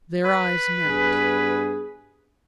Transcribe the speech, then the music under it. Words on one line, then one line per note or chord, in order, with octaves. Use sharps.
Their eyes met.
B4
G2 B3 G#4